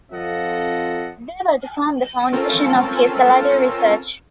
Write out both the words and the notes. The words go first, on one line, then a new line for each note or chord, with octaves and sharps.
They were to form the foundation of his later research.
F2 C4 F4 A4 D#5 F#5
C4 C#4 F4 A4 A#4